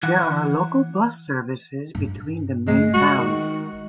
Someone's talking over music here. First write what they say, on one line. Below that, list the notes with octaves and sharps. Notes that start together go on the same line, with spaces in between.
There are local bus services between the main towns.
E3 E4 F#5
G2 D4
D3 G#3 A3
G#3 F#4
D#3